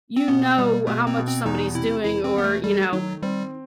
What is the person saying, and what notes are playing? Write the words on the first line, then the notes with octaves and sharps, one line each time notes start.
you know how much somebody's doing, or, you know
C4
B2 B3
B2 G3
B2 A3
C4
B2
C4
E2 D#4
C3 E4
E1 E4
C4
E1 B3
A3
G3 A3
D#3 F#3
G3 C4